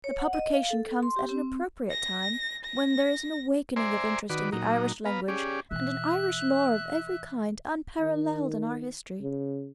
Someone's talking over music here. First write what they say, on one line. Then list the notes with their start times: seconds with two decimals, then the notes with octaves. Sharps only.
The publication comes at an appropriate time, when there is an awakening of interest in the Irish language, and in Irish lore of every kind, unparalleled in our history.
0.04 C#5
0.19 F#5
0.33 D#5
0.53 F5
0.70 A4
1.03 C6
1.16 G4
1.29 C4
1.91 A#6
2.65 A#6
3.76 C5 D5 E5 G#5 A#5 C6
4.30 D#3 F#4 B4 D5
4.52 A#2 F#3 D#4 A#5
5.05 B3 B4 F5 A#5
5.28 C#4 G4 G#4 D5
5.71 B2 E3 E5 F#6
8.00 D#3
9.21 C#3